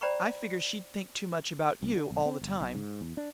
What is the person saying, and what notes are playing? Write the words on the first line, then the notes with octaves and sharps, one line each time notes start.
"I figure she'd think too much about you all the time."
C5 D5 G5 A#5 B5 C#6
C2
D3
B1
C4
G1
B1
G#2
E2
D4